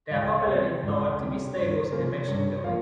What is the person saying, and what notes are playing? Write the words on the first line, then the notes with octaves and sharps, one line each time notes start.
There are popularly thought to be stables in the mentioned building.
C#2 F5
G5
F5
C#5
C3 G3 C#4 C5
C#2
C3 G3 C#4
G2 C#5
C5
F3 A#3 C#4 C5
G2 C#5
F3 A#3 F5